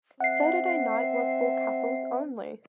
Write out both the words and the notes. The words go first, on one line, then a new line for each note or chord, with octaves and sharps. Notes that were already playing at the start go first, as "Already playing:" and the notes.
Saturday night was for couples only.
C4 E5 F#5 C7